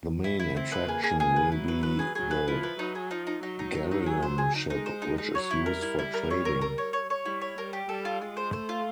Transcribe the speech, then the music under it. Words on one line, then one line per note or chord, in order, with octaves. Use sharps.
The main attraction will be the Galleon ship which is used for trading.
E4
E4
C4 E4
B4
A#3 G#4
G#4
G#4
B4
F#3 E4
B4
B4
G#4
F#3 G#4
B4
F3 E4
B4
F#3 D#4
G#4
F3 D#4
D#4
F#3 D#4
D#4
D#4
D#4
G#4
C5
G#4
D#4
G#3 D#4
C5
D#4
D#4
F#3 C#5
E4
G3 A#4
E4
E4
A#4
C#5
A#4
A#4
C#5
C#5
C#5
G3 E4
C#5
G3 A#4
G4
G3 A4
F4
G#3 F4
C5
A3 C5
F4